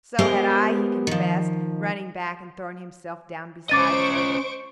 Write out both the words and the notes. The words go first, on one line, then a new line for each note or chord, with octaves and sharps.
"So had I," he confessed, running back and throwing himself down beside her.
G#3 B3 G4 A#4 C5
D#3 F3
C#4 C5 D#5 C#6 D6 A6 D7 D#7